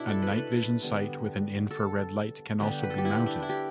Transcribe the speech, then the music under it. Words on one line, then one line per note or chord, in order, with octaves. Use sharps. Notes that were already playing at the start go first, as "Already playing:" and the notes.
A night vision sight with an infra red light can also be mounted.
Already playing: B2 D4 E4
A4
B4
A4
B4
D3 G3 B3
A4
D3 G3 B3 G4
B4
A4
G4
E4
D4
E4
G4